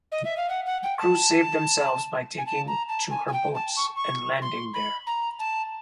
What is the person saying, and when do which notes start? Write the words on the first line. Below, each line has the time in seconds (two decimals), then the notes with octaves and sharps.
The crew saved themselves by taking to her boats and landing there.
0.12 D#5
0.25 E5
0.37 F5
0.49 F#5
0.66 F#5
0.83 G5
0.98 A5
2.38 G#5
2.46 A5
2.68 A#5
2.89 A5
3.11 G#5
3.28 G#5
3.33 G5
3.54 A5
3.77 C#6
3.96 C#6
4.42 C6
4.73 B5
5.07 A#5
5.39 A5